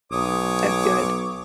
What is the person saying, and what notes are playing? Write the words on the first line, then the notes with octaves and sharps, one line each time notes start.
That good.
B1 C#5 D6 D#6